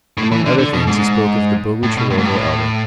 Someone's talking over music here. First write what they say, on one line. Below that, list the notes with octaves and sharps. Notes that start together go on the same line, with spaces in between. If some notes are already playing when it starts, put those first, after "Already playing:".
Among other things he spoke of the Bogucharovo elder.
A2
E3
D3
D3
B2
G#2
A2
B2
A2
G#2
A2